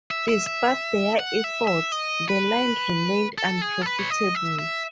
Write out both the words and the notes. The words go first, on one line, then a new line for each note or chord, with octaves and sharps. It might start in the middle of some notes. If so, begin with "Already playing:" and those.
Despite their efforts, the line remained unprofitable.
E5
E5
E5
F#5
E5
E5
D#5
B4
A4
G#4
A4
B4
C#5
D#5
E5
E5